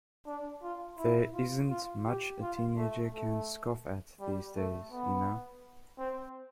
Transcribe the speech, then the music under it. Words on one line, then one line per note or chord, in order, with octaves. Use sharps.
There isn't much a teenager can scoff at these days, you know.
D4
F4
E4
F4
F4
G4
F4
A3
A3
G3
A3
B3
C4